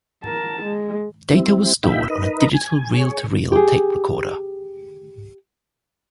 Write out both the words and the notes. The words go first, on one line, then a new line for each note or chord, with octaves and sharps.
Data was stored on a digital reel-to-reel tape recorder.
A#4 A5
G#3
G3 C4 E4
A#2 D#4 F4 E5 G5 B5
D#4 A#4 B4 D#5
G#5
G#4 C#5
G4 G#4